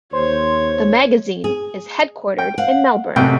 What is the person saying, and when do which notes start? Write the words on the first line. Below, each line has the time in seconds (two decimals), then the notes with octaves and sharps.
The magazine is headquartered in Melbourne.
0.13 D#2 C5 C#5
1.44 G#4
2.39 G5
2.58 F5 F#5
3.16 A1 F#2 C3 G5